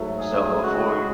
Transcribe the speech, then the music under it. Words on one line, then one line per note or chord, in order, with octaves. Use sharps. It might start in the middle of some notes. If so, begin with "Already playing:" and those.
So, before y
Already playing: G#2 F#3 A3
G#4
C#3 G#3 F#4